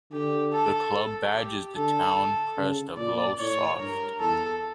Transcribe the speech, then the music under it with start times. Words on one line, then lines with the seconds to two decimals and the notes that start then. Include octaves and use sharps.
The club badge is the town crest of Lowestoft.
0.12 D3 G4
0.53 A4
1.34 G4
1.75 D3 A4
2.57 C#3
2.97 A#2 D5
3.38 A2 C#5
3.79 G2 A#4
4.20 E2 A4